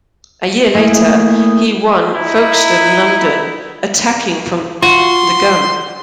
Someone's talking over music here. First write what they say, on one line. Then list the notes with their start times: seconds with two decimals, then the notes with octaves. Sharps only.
A year later, he won Folkestone-London, attacking from the gun.
0.75 A3 A#3 E4 G#4
2.15 D#4 E4
4.82 F4 F#4 C6